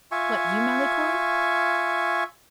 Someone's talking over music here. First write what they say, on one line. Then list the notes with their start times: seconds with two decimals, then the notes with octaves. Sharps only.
"What, you, Malicorne?"
0.11 F4 E5 G#5 C#6